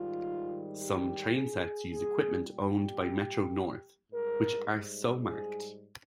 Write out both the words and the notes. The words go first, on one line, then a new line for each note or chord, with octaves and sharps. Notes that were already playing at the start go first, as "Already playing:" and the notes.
Some train sets use equipment owned by Metro-North, which are so marked.
Already playing: G#2 D#3 G3 F4
G4
G#4
A#2 G3 G#4
G4
G#2 G3 A#4
G#4